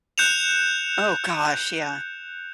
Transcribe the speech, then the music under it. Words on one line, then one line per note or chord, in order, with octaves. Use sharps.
Oh gosh, yeah.
F#6 G6 C#7 E7 F7